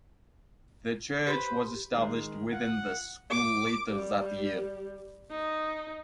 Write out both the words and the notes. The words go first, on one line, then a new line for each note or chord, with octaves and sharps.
The church was established within the school later that year.
G4 B4 C5 B5
D#3 G#3
F4 F#5
D6
G3
D#4